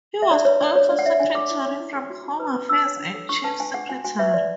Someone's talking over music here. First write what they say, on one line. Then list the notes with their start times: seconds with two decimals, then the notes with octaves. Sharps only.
He was also Secretary for Home Affairs and Chief Secretary.
0.22 E5
0.31 D4 D5
0.45 B4 C#5
0.61 D4 D5
0.76 G#4 C#5
0.90 D4 D5
0.99 F#5
1.05 C#5 E5
1.20 D4 G#5
1.35 A4 D6
1.50 E4
1.65 C#5
1.80 E4
1.95 G#4
2.10 F#4
2.25 F#4
2.40 B4
2.55 B4
2.69 D4 E6
2.85 C#5
2.99 D4
3.14 A4
3.29 D4 C#6
3.44 B4 A5
3.60 D4 G#5
3.74 G#4 F#5
3.89 F#4 G#5
4.05 F#4 G#5
4.19 B4 E5
4.34 B4 D5